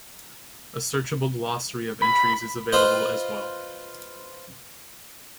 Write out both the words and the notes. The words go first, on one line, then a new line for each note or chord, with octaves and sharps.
A searchable glossary of entries is available as well.
B5
F4 B4 C5 D#5